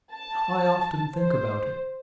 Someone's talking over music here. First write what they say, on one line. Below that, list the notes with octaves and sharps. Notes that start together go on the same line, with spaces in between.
I often think about it.
A5
C5